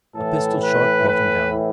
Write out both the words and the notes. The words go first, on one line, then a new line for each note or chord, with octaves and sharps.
A pistol-shot brought him down.
A2 E3 A4
B4
B4